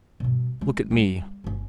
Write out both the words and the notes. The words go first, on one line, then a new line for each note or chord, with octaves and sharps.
Look at me.
G2 B2
G#3 E4
G3 A#3
G1 C#4